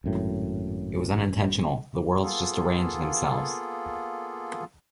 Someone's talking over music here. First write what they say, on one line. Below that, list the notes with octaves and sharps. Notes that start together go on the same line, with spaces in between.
It was unintentional — the words just arranged themselves.
G#1 F#2 A2
A#3 B3 F4 G#4 A4